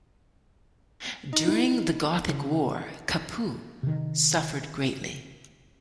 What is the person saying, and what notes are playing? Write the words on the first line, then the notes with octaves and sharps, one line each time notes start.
During the Gothic War, Capua suffered greatly.
D#4
E4
C#3
C3 D#3